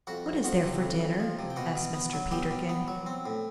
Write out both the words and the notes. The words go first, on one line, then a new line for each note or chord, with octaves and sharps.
"What is there for dinner?" asked Mr. Peterkin.
F2 F#4 F#5
F2
F3 F#4 F#5
C3
F2
F2
F3
C3
G5
B2 F#4 F#5
B2
B3
F#3
B2 G4 G5
B2
B3
F#3
C4
A2